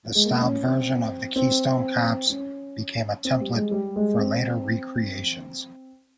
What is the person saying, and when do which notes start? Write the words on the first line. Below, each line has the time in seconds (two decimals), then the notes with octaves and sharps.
The Staub version of the Keystone Cops became a template for later re-creations.
0.15 G#3
0.25 A#3
0.41 C#4
0.65 C4
1.36 C4
2.29 C#4
3.25 C4
3.41 G3
3.55 G#3
3.71 G3
3.96 G#3
4.18 C4